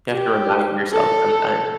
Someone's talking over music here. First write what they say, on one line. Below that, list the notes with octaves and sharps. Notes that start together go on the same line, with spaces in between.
You have to remind yourself sometime.
G4
A4